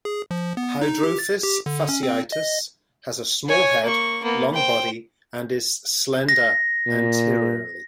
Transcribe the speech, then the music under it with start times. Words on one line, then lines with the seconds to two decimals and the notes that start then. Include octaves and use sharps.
Hydrophis fasciatus has a small head, long body and is slender anteriorly.
0.05 G#4
0.31 F3
0.57 B3
0.81 D#4
1.03 G4
1.19 A6
1.43 G4
1.66 D3
1.89 C#4
2.03 C4
2.32 D#5
3.48 C#5 G#5
3.84 A#3 C#6
4.23 A#3 B3
4.54 C5 G5
6.29 A#6
6.86 A#2